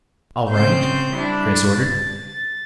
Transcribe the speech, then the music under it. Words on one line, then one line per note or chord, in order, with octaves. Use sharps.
"All right," Chris ordered.
C#3 C4 C5 G6
G3 D4 E4
A6